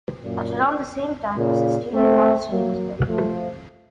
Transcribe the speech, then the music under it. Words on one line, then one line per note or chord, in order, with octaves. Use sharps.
At around the same time a Cistercian monastery was built.
F#2 A#2
A#2 C#3
A3 C4
F#3 A#3
F3 A3